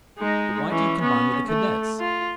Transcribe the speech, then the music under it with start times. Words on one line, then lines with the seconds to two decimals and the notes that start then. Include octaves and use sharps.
"But why do you combine with the Cadets?"
0.18 G#3 D#4
0.70 E3 C#4
1.01 B3 C#4
1.47 A3
2.00 F4